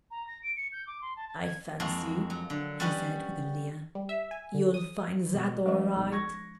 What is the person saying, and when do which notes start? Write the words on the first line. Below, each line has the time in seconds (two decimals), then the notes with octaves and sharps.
"I fancy," he said with a leer, "you'll find that all right."
0.11 A#5
0.27 A#6
0.43 D7
0.57 C#7
0.72 G6
0.87 D6
1.01 C6
1.16 A5
1.29 A5
1.42 G#6
1.80 F2 G#3 A#3 F#4
2.30 F#3
2.50 D3
2.80 G3 C#4 F#4 B4 D#5
3.95 G3
4.09 E5
4.31 G#5
4.54 D3
4.74 D#6
5.34 B2
5.66 F3 G#3 C#4 B4 D#5
5.96 B1
6.12 C#6 G#6 A#6